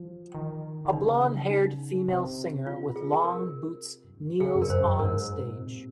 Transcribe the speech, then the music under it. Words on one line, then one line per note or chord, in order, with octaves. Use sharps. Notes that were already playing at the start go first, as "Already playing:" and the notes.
A blondhaired female singer with long boots kneels on stage.
Already playing: F3
D#3
D#3
C#3 D#4
D#4
C3
F4
G#4
A#4
F#2
G#2
A#2
C3
C#3 G#4
F#2
A#4
F#2 C5
F#2
G#2 A#4
A#2
C3